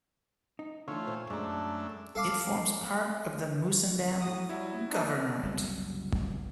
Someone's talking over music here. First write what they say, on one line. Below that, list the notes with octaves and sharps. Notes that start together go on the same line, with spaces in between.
It forms part of the Musandam Governorate.
D#4
D3 E3 A3 F4 C#5
A#2 C5
F#2 G#3 A3 D4 A#5
A4 F5 D6
A2 F#4 D#6
F#3 G3 E4 F#4 E5
D4 D#4
F#1 C2 F#3